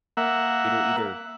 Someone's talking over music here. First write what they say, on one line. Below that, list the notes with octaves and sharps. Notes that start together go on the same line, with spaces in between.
it'll either
A#3 E5 F#5